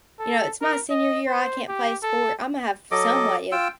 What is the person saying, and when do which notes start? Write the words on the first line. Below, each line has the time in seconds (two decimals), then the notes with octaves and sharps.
You know, "It's my senior year. I can't play a sport. Imma have some way of
0.20 A4
0.61 A#4
0.91 D#5
1.27 C5
1.68 G4
2.03 A4
2.91 F#3 A4 D#5 D6
3.52 F4 G5 E6